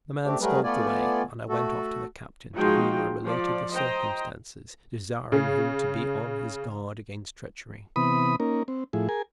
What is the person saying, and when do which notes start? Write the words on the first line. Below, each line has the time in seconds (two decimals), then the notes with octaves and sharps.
The man skulked away, and I went off to the captain, to whom I related the circumstance, desiring him to be on his guard against treachery.
0.25 A3 C4 D4 G4
0.41 F#3 G3 A3 G#4 A#4 B4
0.64 A3 B3 F4 D5 G#5
1.49 A3 F#4 A4
2.54 F3 G#3 D#4 F4 F#4 G5
3.24 F3 D5
3.72 C5 D#5 G5 A#5
5.32 C#3
7.96 C3 E3 B3 B5 D#6
8.40 A#3 C#4 D#4 A#4
8.68 C4
8.93 A2 F3 E4 G#4
9.09 G#4 A#4 G#5